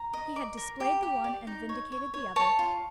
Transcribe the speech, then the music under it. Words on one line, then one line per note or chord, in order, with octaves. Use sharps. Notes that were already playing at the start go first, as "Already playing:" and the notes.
He had displayed the one, and vindicated the other.
Already playing: A#5
D#5
D5
A#4
G4
G4
D5
D#4
C#5
C#5
C#5
C#5 A5
F4